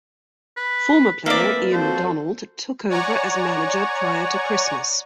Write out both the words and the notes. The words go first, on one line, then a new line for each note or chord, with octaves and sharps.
Former player Ian MaDonald took over as manager prior to Christmas.
B4
F3 A3 A#3 C4 B4 D5 E5
F3 C4 F#4 A4 C5
C#5 D5 F#5 G#5 A#5 C#6